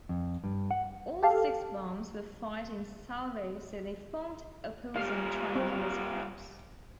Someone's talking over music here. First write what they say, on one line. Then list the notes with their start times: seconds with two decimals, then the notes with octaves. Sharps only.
All six bombs were fired in salvo so they formed opposing triangular spreads.
0.09 F2
0.44 G2
0.71 F#5
1.23 G4 A4 F5
4.96 G3 F4 F5
5.55 C4